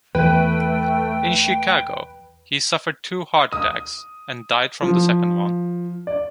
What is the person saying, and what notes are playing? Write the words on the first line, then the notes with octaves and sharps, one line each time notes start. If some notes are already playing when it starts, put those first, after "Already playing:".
In Chicago, he suffered two heart attacks, and died from the second one.
E2 E3 A3 B4 G5
D#6
F3
D5